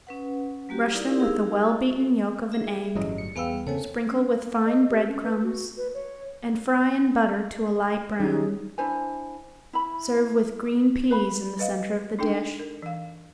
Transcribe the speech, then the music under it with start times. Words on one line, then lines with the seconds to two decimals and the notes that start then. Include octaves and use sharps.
Brush them with the well-beaten yolk of an egg, sprinkle with fine bread crumbs, and fry in butter to a light brown. Serve with green peas in the center of the dish.
0.07 C#4 B4 F#5
0.69 G3 A#3 F#4 G4
0.94 D#4 E4 G4 A#4 D5
1.20 D#4 G4 G#4 A#4 F5 E6
1.63 F#4 A4
2.52 G#4 E5
2.95 G1 A2 E3 F#3 G3 C#4 D#5
3.18 C#7
3.36 E2 B3 G#4 B4 F5 G5 E6
3.67 C#3 A#3 C4 A4 C#5 G#5
4.10 C#4
4.32 A#3
4.66 D#5
4.90 G4
5.07 C#4
5.24 B4
5.43 F#4
5.77 B4
5.94 C#5
8.20 D#3 G3 C#4 G#4
8.78 D4 E4 C5 G#5
9.73 E4 B5
11.10 B4 F5 B5
11.59 B4 D#5 F5
12.19 D4 D#4 A4 G5
12.59 A#4
12.82 E3 F5